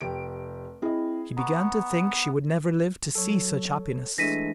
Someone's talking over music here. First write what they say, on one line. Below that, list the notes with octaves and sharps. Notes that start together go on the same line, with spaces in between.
She began to think she would never live to see such happiness.
F1 G4 D7
C4 E4 G#4 D#5
B3 A#5 C#6
F#3 A4 C#5
E3 G#3 A3 D4 A#6 B6 D#7